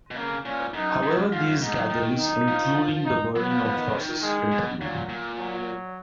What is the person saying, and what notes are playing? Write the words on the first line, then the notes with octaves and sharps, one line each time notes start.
However, these gatherings, including the burning of crosses, continued.
B2
C#3 A#3
A#2 C#4
F#2 D#4
F#2
G#2 F4
F#2
G#2 D#4
F#3
D#3
D#4
F3
D#4
F#3 B3
F3
F3
D#3
C#3
D#3
G#3
B2
A#2 F#3
A#2
F#3